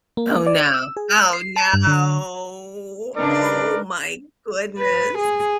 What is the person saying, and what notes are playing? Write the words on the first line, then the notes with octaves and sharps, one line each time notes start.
Oh no oh no. Oh my goodness.
A#3
D5
E6
G#4
G6
C7
A5
G2
D3
C#3 D4 D#4 A#4 B4 D5
B4
G#4